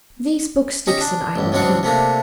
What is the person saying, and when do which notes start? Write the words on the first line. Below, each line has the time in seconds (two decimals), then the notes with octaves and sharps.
'These books, Dixon, I will keep.
0.87 C#4 D#4 G4 A#5
1.01 D4
1.36 A1 G2
1.52 C#2 G#2 F#3 C4 D4 F#5
1.83 C3 A3 A#3 D4